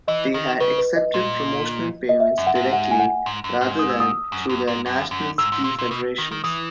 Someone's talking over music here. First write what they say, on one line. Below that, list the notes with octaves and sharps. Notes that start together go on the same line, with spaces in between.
They had accepted promotional payments directly, rather than through their national ski federations.
E3 D#5
D#3
C#3 B4
B4
D#5
A#2
D#5
E5
F#2
F#5
G#2
F#5
G#5
F#5
G#2
F#2
G#2
D#6
E6
D#6
F#2
F#2
G#2
F#2
F#2
G#2 E6
G#2
A#2
A#2
B2
D#3
D#3
E3 D#6